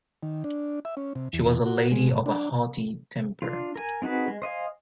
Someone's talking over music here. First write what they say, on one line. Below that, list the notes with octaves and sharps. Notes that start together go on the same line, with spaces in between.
She was a lady of a haughty temper.
D#3
D4
E5
C#4
C3
E2
F#4
G#3
A2
D4
D4 F4
A#4 G#5
C4 D#4 F#4 G#4 B4
G#3
C5 D#5 F5 G#5